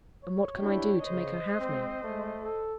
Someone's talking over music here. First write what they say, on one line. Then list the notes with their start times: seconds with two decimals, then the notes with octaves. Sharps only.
And what can I do to make her have me?
0.24 C#5
0.59 D4 E4 G4
1.03 C#3 C5 D#5
1.59 G#3 C4
2.03 G#3 A3
2.42 A4